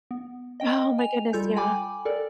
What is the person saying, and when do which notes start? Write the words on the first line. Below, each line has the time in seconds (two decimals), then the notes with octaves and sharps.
Oh my goodness, yeah.
0.11 B3
0.60 D#5 G5
0.98 G#5 F7
1.33 G3 F4 A4 G6
1.56 G5 G#5 B5 D6
2.05 A4 A#4 D5